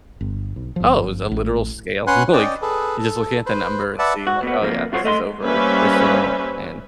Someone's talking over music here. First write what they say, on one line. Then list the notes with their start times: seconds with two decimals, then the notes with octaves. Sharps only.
Oh, it was a literal scale. Like, you're just looking at the number and seeing, like, "Oh, yeah, this is over this amount." And,
0.21 G1
0.56 B1
0.76 G1 F3
1.31 A1
2.07 C#4 B4 F#5 G#5 C6 F#6
2.33 C#4 D5 D#5 G5
2.62 G#4 A4 B4
2.98 A4
3.46 B4 C5
3.99 B4 D5 E5 F#5 A5
4.27 F#4
4.43 B2 B3
4.62 F2 F3 A#3
4.92 C2 F4 F#4 G#4 C5 C#5
5.04 A3 D#5 F5 C6
5.42 G3 A#3 C#4 B4 C5 E5